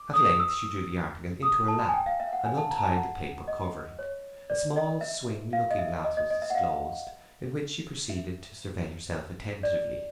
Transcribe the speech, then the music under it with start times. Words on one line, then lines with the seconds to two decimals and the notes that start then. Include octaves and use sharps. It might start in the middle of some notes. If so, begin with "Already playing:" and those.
At length she drew the article into her lap, and untied the paper covering; a small swing looking-glass was disclosed, in which she proceeded to survey herself attentively.
Already playing: D6
0.14 D#6
0.39 E6
1.43 D#6
1.68 A5
1.89 G#5
1.94 G5
2.06 F5
2.20 E5
2.33 F#5
2.45 G#5
2.57 A5
2.71 A#5
2.78 A5
2.83 G#5
2.97 F#5
3.48 D#5
3.99 C#5
4.50 D5
4.76 D#5
5.01 E5
5.53 F5
5.70 D#5
5.79 E5
6.04 D#5
6.17 D#5
6.30 D#5
6.42 E5
6.50 F#5
6.55 F5
8.10 E5
9.63 D5